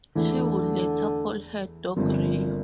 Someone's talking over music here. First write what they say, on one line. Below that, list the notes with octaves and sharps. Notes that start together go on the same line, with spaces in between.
She would later call her dog Rio.
E2 D3 E3 A3 E4
G1 G2 A#2 F3 C4